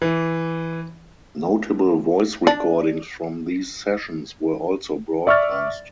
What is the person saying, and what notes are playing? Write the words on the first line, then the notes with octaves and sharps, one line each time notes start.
Notable voice recordings from these sessions were also broadcast.
E3
D4
D5 E5 C#6 D6 F6 A6